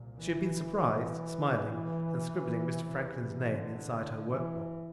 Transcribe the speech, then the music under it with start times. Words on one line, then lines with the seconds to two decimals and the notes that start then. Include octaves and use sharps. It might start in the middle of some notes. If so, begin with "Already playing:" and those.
She had been surprised, smiling, and scribbling Mr. Franklin's name inside her workbox.
Already playing: C2 A#2
0.18 E3
2.66 E2 C3
3.49 D3
4.31 E3